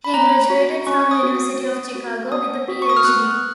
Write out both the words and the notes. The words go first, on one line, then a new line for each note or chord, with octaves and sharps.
He graduated from University of Chicago, with a PhD.
B5
C#4 A#5
F#4
C#4 C#6
D#6
F#4
D#6
B3
F#4
B3 D#6
F#4
C#6
D#6
F6
B3 F#6